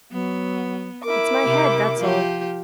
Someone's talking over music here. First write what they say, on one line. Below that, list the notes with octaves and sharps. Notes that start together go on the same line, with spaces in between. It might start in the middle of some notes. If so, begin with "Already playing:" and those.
It's my head, that's all.
F#3 B3
E4 A#4 D6
C3
F3 G4